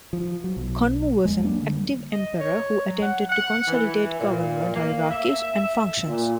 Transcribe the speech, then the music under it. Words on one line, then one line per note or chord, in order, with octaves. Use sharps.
Kanmu was an active emperor who attempted to consolidate government hierarchies and functions.
F3
F#3
B1
F2 G#3
F#3 A#3 D4
D3 G3
D#5
C#5
F#3
F#5
F#5
E3
A#2
A#3
E5
A#2